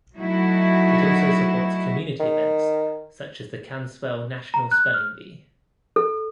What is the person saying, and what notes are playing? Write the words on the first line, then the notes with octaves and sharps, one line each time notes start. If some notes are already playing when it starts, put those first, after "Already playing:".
It also supports community events such as the Canspell National Spelling Bee.
F#3 A3 D#4 E4 F#4
D#3
A#5
F#6
F6
A4